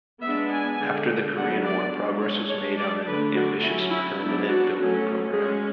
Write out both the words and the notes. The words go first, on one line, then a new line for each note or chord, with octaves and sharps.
After the Korean War, progress was made on an ambitious permanent building program.
G#3 B3 D4 E5
G#5
D3 G#3 D4
F#3 B3 D4 F#5
D5
G#3 D4
C#5
G#3 D4 C#5
D5
D3 A3 D4 B4
F#4
F#3 C#4 E4
E4
F#3 B3 D4 E4
F#4
F#3 A3 C#4
G#3 C#4 G#4